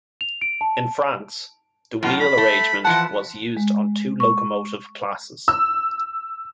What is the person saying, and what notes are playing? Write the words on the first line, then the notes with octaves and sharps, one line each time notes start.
In France, the wheel arrangement was used on two locomotive classes.
F7
D7
A5
F#2 A2 F4
B5
A3
E3 F3 F#5 A5
G#3
C#6
E6